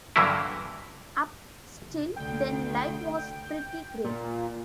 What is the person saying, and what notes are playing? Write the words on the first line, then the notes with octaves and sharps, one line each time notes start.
Up till then life was pretty great.
G2 D3 E3 F#3 A#3 E4
D2 G5
A#2